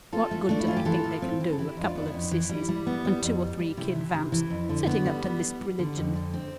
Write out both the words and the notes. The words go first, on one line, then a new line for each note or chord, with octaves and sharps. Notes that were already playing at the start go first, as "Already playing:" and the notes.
What good do they think they can do, a couple of sissies, and two or three kid vamps, setting up to lisp religion?
C4 F4 A4
A3
A3 D4
E4
E3 F4
G4
E3 F4 A4
A2
C4
E3
A4
E3 E4 G4
F2
D4 F4
B3 D4
E4
F2
E3
G3
G3
B3
G3
F2
G3
G3
C3 E4
E3
C3
E3
F2
D3
B3
G3
B3
G3
G3
D3
F2
D3
C4